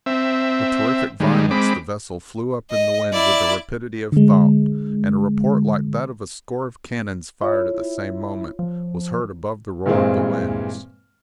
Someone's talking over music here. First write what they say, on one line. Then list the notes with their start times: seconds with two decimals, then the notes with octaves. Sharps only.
With terrific violence the vessel flew up in the wind with the rapidity of thought, and a report like that of a score of cannons fired at the same moment, was heard above the roar of the winds.
0.06 C4 E5
1.20 D#3 G3 G#3
1.51 G#3 C4 B5 D6
2.70 D#5
3.13 E4 D5
4.12 D3 G#3
7.42 E4 F4 C#5
8.59 F3
9.86 G2 A#2 E3 G#3 C4